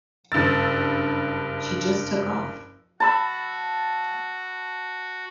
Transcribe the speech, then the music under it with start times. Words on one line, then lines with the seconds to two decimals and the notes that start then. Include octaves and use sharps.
She just took off.
0.32 F#1 G2 E6 A6
3.00 F#4 A5 B5 E6